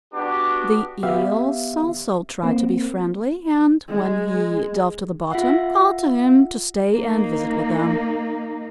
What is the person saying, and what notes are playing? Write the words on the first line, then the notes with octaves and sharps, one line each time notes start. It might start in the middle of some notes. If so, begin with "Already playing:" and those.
The Eels also tried to be friendly, and, when he dove to the bottom, called to him to stay and visit with them.
B3 D4 F#4 G4 D6
B3 G4 E5 F5
A#3 C4
G#3
F4 E5 F#5
A#3 D#4